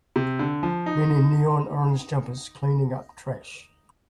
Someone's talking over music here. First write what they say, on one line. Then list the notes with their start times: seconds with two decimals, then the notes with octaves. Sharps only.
Men in neon orange jumpers cleaning up trash.
0.16 C3
0.39 D3
0.63 F3
0.86 D#4